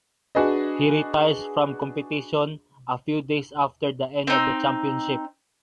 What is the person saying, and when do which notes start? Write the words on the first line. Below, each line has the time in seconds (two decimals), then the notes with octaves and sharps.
He retires from competition a few days after the end of the championship.
0.35 D4 F#4 G#4 B4 D#5
4.27 C4 D#4